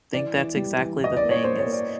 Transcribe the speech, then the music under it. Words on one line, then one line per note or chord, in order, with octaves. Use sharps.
think that's exactly the thing is,
E3 D5
E3
G3
E3
E3 D#5
D5
A#3
C#5
A#3 C5
C#5
A#3
D5